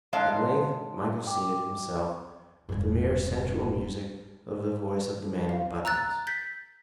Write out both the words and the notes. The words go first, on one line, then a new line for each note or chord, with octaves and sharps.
At length Michael sated himself with the mere sensual music of the voice of the man in buttons.
G#2 G#3 C#5 F5 A5
G5 D6
E1 G2
F5
A#5 E6 F#6 A6
G6 A6 B6